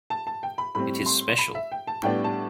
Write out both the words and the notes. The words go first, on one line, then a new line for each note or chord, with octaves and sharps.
It is special.
A5
A5
G5
B5
A2 G3 C4 B5
C6
B5
E5
G5
A5
A2 G3 B3 D4 G5
A5